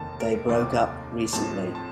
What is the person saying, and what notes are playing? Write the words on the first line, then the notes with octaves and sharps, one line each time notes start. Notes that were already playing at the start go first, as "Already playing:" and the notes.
They broke up recently.
Already playing: F1 D#2 D#3 A#3 D#4 A5
A#4
F1 D#2 D#3 A#3 D#4 D5
A2 F3 C4 D#4 A5
A5